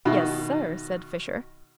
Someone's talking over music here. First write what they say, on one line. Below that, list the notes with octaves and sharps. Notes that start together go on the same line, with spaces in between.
"Yes, sir," said Fisher.
B2 D#3 E4